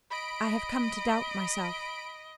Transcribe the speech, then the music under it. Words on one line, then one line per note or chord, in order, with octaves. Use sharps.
I have come to doubt myself.
D#5 B5 D7